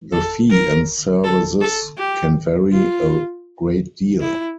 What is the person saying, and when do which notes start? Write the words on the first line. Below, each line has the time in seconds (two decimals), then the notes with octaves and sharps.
The fee and services can vary a great deal.
0.13 A4
0.50 A#4
1.24 A4
1.61 A4
1.98 G4
2.72 F4
4.21 E4